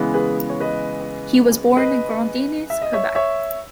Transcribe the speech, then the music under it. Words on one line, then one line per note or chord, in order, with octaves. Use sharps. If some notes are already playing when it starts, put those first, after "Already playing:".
He was born in Grondines, Quebec.
Already playing: C#3 E3 G#3 B3
G#4 B4
C#5
B4 D#5
B4 D#5
E5
D#5
C#5 E5
C#5 E5